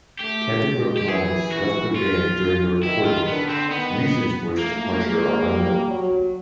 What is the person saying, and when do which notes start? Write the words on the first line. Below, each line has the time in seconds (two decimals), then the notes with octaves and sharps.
Kevin Rutmanis left the band during the recording; reasons for his departure are unknown.
0.20 A3 G4
0.65 G#3
0.97 G4
1.08 E3 G#4
1.52 F#4
1.96 F4
2.83 D#3 E4
3.05 F4
3.27 D3 B3
3.49 C4
3.71 D#3 B3
4.58 A3 A#3
5.03 G#3
5.46 G3
5.90 F#3